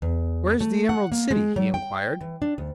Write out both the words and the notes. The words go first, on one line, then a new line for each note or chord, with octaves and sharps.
"Where is the Emerald City?" he inquired.
E2
A3
F#5
A#3
G#3
F#3
G5
E3
D4
D2